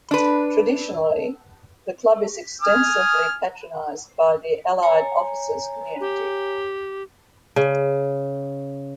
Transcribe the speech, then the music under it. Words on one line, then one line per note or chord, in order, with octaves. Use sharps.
Traditionally, the Club is extensively patronized by the allied officers community.
D4 B4
G#5 D#6 F6
C#5 G#5 A#5
G4
C#3